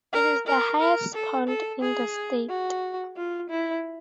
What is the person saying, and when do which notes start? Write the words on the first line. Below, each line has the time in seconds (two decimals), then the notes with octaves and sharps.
It is the highest pond in the state.
0.13 A#4
0.47 A#4
0.80 A#4
1.14 A4
1.48 A4
1.82 G#4
2.49 F#4
3.17 F4
3.50 E4